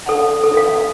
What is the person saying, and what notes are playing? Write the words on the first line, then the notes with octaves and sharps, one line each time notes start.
Sad to hear that.
A4
A4
F5